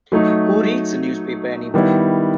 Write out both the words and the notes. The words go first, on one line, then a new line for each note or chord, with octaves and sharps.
Who reads the newspaper anymore?
F#3 A3 D#4
D#3 G3 B3 E4